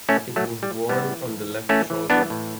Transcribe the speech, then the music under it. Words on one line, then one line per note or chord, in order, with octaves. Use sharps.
It is worn on the left shoulder.
A2 A3 C#4
A2
F#3 A3
A2
G3
A2
E3 G3 B3
E3
A2
A2
E3 A3 C#4
E3
E3 B3 D4
A2